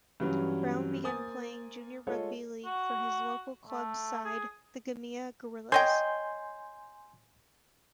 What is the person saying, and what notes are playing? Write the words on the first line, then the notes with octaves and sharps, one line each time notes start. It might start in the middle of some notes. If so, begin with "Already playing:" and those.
Brown began playing junior rugby league for his local club side the Gymea Gorillas.
G2 E3 F#3 C#4
A#3 C5 G#5 D#6 A6
G#3 F4 A4 C#5
F#4
A3
G#4
C#5 D#5 G5 G#5 C6 G6